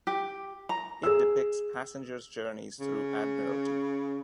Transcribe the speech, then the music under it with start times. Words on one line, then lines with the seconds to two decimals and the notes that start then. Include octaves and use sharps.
It depicts passengers' journeys through Admiralty.
0.07 G4
0.69 A#5
1.03 G#4 E6
2.80 C#3